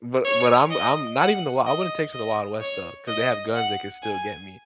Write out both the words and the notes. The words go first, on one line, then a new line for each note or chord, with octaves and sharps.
but but I'm I'm not even the wild, I wouldn't take it to the wild west though, cause they have guns they can still get me.
C#5
D#5
F#5
D#5
D#5
C#5
D#5
F#5
G#5